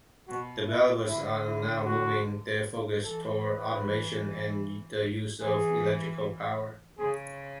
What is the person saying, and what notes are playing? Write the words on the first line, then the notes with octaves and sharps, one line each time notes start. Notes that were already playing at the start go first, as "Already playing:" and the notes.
Developers are now moving their focus toward automation and the use of electrical power.
B2 F#4
E4
D3 E4
E4
F#4
E3 A4
B4
E3
E3 G#4
C#3 G#4